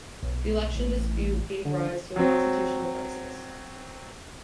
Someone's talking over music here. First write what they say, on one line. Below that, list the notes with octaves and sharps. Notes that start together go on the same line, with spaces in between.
The election dispute gave rise to a constitutional crisis.
B1
A1
D3
F#3 C4